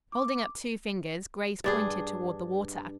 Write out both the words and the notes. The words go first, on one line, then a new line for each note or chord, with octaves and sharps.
Holding up two fingers, Grace pointed toward the water.
D6
G2 D4 G#4